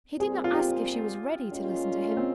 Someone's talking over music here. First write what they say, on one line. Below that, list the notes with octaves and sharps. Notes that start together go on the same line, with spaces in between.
He did not ask if she was ready to listen to him.
A#2 G3 C4 G#4
F4
G4
A#2 G#3 C#4 F4
C4